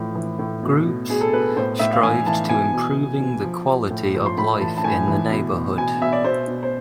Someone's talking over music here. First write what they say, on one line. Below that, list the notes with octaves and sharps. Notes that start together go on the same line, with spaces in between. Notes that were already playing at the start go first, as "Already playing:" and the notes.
Groups, strived to improving the quality of life in the neighborhood.
Already playing: A2 E3 F3
E3
A2
B2
B2
B2 G#4
A4
B2 B4
A2 C5
A2 E5
F5
E3 G#5
E3 A5
B2 G#5
B2
B2
B2
F3
F3
A2
F3
C6
A2 B5
E3 A5
A5
A2 G#5
E3
B2
B2
B2 G#5
B2 E5
D5
B2 C5
B2
C5